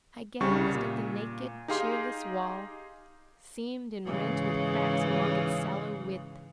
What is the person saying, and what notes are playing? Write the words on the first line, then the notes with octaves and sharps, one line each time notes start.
I gazed at the naked, cheerless wall, seamed and rent with cracks along its sallow width.
C2 C#3 G3 C#6
A#2
D#4 G4 G#4 F5 C6
G#2 C#3 E3